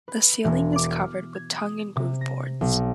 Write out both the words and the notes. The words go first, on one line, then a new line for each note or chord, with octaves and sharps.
The ceiling is covered with tongue-in-groove boards.
B4
B6
E1
D6
F6
G#6
D#6
C3
A#6
B1